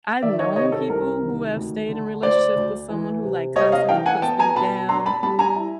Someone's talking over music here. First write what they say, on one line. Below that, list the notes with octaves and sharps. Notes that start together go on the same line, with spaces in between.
I've known people who have stayed in relationships with someone who, like, constantly puts them down
D#3 D5 E5
C#5 D#5
C3 C#5 D#5
A4
C2 A#4
D#3
D2
D3
D2 C5 D5
D2
E3
C3
C3 C#5 D#5
D#5 F5
E3 F5 G5
F#5 G#5
B3 G5 A5
G#5 A#5
B2 A5 B5
D4 A#5 C6
A5 B5
G3 A5 B5
G#5 A#5
E4